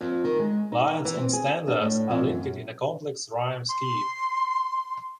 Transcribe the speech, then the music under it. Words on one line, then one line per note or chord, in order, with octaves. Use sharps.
Lines and stanzas are linked in a complex rhyme scheme.
F2
D#3
G#3
D#4
E3
C4
G#4
D4
A2
F2
F#2
C6